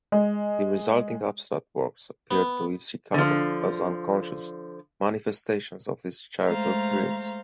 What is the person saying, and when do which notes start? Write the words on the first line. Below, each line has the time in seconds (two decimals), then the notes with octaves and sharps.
The resulting abstract works appeared to Ishikawa as unconscious manifestations of his childhood dreams.
0.12 G#3
2.31 B3
3.14 D3 F3
6.46 G#3 A3 C5 F5 A#5